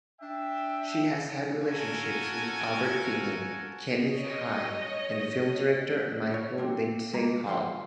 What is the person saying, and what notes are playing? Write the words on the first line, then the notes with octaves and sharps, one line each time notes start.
She has had relationships with Albert Finney, Kenneth Haigh, and film director Michael Lindsay-Hogg.
D4 E5 G5
C#4 F4 F#4 A4 A#4 G#5
C#5 D#5
C#5
A#3 C4
G#3 A#3 A#5
D3 F3 F4 C6